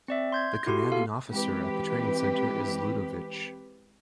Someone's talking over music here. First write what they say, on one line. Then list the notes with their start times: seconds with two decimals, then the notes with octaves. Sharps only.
The commanding officer at the training centre is Ludovic.
0.08 C4 D5 E5
0.32 C6 G6 G#6
0.66 E4 F#4 G4 A4 C6
0.92 B3 A4 F5
1.30 E3 G#3 C4 G4 B4